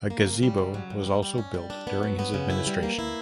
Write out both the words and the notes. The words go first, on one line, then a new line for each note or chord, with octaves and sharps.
A gazebo was also built during his administration.
A#3
C#3
G3
C#3
F#3
G2
G3
G3
C#4
G3
D4
B3
F#3
B3
C#3
E4
G3
A#3
E4